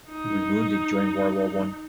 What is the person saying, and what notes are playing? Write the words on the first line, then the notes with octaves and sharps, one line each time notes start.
He was wounded during World War One.
D#4